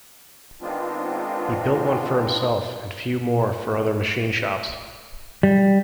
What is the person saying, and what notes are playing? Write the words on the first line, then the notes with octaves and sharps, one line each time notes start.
He built one for himself and few more for other machine shops.
D#3 G#3 B3 C4 D4 F4
G3